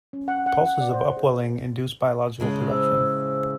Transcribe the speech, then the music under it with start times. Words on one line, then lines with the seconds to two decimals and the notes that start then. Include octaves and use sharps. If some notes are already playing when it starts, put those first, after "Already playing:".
Pulses of upwelling induce biological production.
0.13 C#4
0.28 F#5
0.46 F#5
0.66 F#5
0.80 D5
0.93 C5
1.17 G#4
2.40 A2 C#3 G#3
2.70 C5 E6